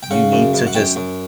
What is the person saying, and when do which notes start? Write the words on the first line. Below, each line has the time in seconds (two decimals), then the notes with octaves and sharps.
you need to just
0.03 G5
0.11 C#3 F#5
0.32 F#2
0.53 F#2
0.67 F#5
0.75 F#2 G5
0.96 F#2